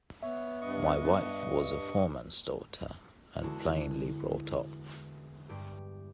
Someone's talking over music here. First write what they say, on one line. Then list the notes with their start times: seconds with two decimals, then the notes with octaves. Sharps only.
My wife was a foreman's daughter, and plainly brought up.
0.23 B3 C#5 E5
0.61 G2 D#5 C#6
3.42 E2 D3 G#3 E4 F#4 F#6
5.49 G2 G4